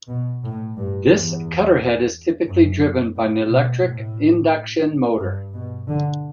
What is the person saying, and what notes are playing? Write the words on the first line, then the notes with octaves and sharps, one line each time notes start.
This cutter head is typically driven by an electric induction motor.
B2
A2
G2
E2
F#2
A2
B2
A2
G2
B2
D3